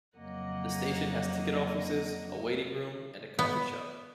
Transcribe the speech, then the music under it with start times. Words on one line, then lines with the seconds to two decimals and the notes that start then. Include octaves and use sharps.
The station has ticket offices, a waiting room and a coffee shop.
0.18 F2 C#3 F#3 A#3 D#5 F#5
3.39 B3